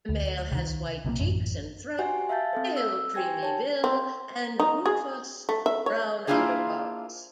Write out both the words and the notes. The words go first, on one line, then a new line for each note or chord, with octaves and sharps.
The male has white cheeks and throat, pale creamy bill, and rufous-brown underparts.
D2
C2 D#3
B1 C3 D#3 A#3
A1 F#2
F#4 G4 C5 F#5 G#5
E5 F5 A5 G6 A6
C4 A4 C5
E6
G4 C5 G5 G#5 G#6 A#6
C#5 A5
C4
D#4
G#4
A3
E5
C#5
A#3 D4 E4 F4 G#4 C5